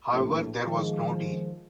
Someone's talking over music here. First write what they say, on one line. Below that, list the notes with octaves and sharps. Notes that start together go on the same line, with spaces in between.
However, there was no deal.
A#1 A2
D#3 F3 G#3